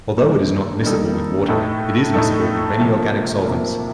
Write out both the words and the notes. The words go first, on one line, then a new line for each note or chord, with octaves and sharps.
Although it is not miscible with water, it is miscible with many organic solvents.
D#3 G3 A#3 D#4 A4
D#3 G3 A#3 D#4 A4
A2 A3 D#4 A4
A2 A3 D#4 A4
C3 F3 A#3
C3 F3 A#3